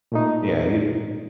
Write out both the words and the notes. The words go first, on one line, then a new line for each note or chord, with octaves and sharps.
Yeah, you d
A#2 A3 D#4